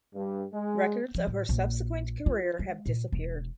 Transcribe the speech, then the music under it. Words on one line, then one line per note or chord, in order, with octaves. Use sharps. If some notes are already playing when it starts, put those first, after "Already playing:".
Records of her subsequent career have disappeared.
G2
G#3
F3
A2
A#1
F4
G#3
A#2
E1